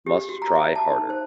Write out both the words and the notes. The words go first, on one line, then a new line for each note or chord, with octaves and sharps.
Must try harder.
G4
F#4
A#5
E5
A5
D#4
C5